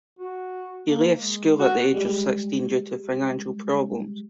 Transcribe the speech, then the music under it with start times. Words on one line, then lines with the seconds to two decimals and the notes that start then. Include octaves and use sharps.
He left school at the age of sixteen due to financial problems.
0.19 F#4
0.87 A#3
1.15 G#3
1.59 F#4
1.94 G3 G#3